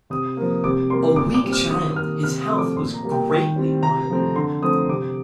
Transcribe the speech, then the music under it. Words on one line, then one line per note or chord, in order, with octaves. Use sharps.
A weak child, his health was greatly monitored.
C3 D#6
F3 A#3
C3 D6
G3 A#3 C6
A#2 D6
D6
G3 C4
F6
D#3 D#6
G3 A#3 F6
C3 F6
D#6
F3 A3 C4
D6
A#2 C6
A#5
G3 A#3
G5
D#3 G5
G3 C4
C3 A#5
F3 A3 C4
D3 C6
F3 A3 C4 D#6
C3 D6